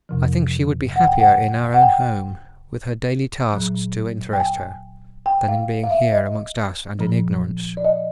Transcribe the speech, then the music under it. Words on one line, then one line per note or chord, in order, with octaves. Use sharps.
I think she would be happier in our own home, with her daily tasks to interest her, than in being here amongst us and in ignorance.
F2 C3 F3
F#5
G5
F#5
F#5
G5
A#2 F#3
G5
G#5
G5
F5
F5
E5
D#5
A#2 F3
D5
D#5